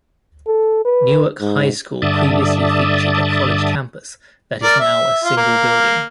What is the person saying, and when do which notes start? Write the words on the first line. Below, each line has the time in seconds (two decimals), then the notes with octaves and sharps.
Newark High School previously featured a college campus that is now a single building.
0.47 A4
0.85 B4
1.41 G#2
2.02 G2 D3 D5 E5 A5 D#6
4.63 A#4 D5
4.80 E5
5.24 F4
5.37 A#3